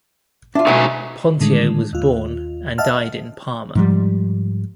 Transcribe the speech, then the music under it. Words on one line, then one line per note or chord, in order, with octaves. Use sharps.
Pontio was born and died in Parma.
D4 F4 E5
B2 A3 D#4 F#4 E5 G#5
A2 D3 D#3 G#3
D#2 F4
D#5 E5 F#5 A5 F6
G#2 F3 G3